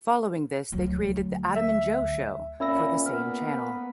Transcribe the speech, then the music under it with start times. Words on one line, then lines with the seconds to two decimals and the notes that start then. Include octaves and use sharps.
Following this they created "The Adam and Joe Show" for the same channel.
0.72 D2 F#3
1.55 E5
2.60 A#2 C#4 E5 B5 E6 A#6
3.06 A#3 B3 B4 F6